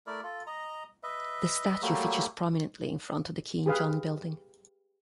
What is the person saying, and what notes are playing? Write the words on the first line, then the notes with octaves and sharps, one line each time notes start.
The statue features prominently in front of the Keen John Building.
A3 E4 A#4 D5
F4 A4
D#5 A#5
B4 D#5 E5
F#3 G3 A3 A#3
G4 G#4 B4 F5